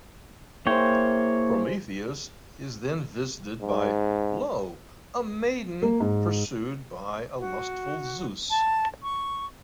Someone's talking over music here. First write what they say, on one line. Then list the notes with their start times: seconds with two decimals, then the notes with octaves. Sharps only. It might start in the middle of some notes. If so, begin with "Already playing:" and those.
Prometheus is then visited by Io, a maiden pursued by a lustful Zeus.
0.67 A#3 E4 G#4 C5 C#5 G5
3.62 G#2
5.82 A#3
6.00 G#2
7.38 F#4
8.50 A5
9.02 C#6